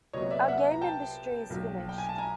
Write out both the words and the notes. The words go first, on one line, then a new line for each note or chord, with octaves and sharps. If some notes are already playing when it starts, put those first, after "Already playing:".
Our game industry is finished.
C2 A#2 F#3 B3 C#5 D#5
D5 E5
E5 F#5
A#5
G5 A5
B1 A#2 F#3
G5
G#5
A5
G#5 A#5